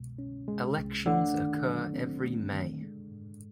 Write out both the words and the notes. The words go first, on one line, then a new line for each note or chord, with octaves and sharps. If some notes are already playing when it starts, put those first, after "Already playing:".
Elections occur every May.
Already playing: C2 B2 G#3
C#4
G#3
C2
D3 A3
D#3
F#3
C4
A3
D#3
G#3
G#2